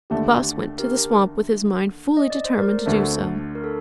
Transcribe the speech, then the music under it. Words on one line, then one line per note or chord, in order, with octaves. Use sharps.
The Boss went to the swamp with his mind fully determined to do so.
D#2 D3 A3 G4
G4 A#4
D#5
D5
C5
A#4 D5
D2 D3 A3 A4 C5
A#4
A4